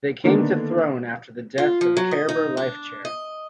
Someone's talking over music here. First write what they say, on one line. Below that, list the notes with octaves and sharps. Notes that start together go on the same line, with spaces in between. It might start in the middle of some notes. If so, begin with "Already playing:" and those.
They came to throne after the death of Cairbre Lifechair.
D3 D#3 A#3 B3 D4
F4
F3
F#3
D#5
D#4
D4
D#5